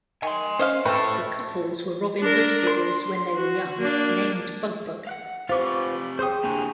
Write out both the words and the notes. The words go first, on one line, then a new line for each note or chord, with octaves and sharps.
The couples were Robin Hood figures when they were young, named BugBug.
D#3 G#5 C6
C#4 C5 D#5 F5
A2 A3 C4 A4 B4
D4 A#4
C6
F#4
A#3 D4
F5 F#5
C4 F4 G4 B4 C5 F5 C#6 D6
G#4 C5 G5 C6 D#6
A#3 D4 F#4 G4 G#5 A#5